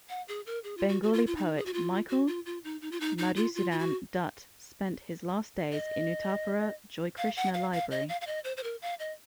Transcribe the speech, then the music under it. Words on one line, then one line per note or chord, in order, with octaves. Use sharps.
Bengali poet Michael Madhusudan Dutt spent his last days in Uttarpara Joykrishna Library.
F#5
G#4
A#4
G#4
F4
F#4
F#4
F4
F4
D#4
G#4
F#4
F4
F#4
F4
F4
D#4
D#4
F4
D#4
D#4
F4
F4
F4
F#4
D#5
F5
F#5
F5
F5
D#5
F5
F5
D#5
C5
C5
A#4
F5
D#5